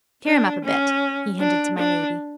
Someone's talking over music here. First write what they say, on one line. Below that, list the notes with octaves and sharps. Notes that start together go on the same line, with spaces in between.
"Cheer 'em up a bit!" he hinted to my Lady.
D4
C#4
D4
D4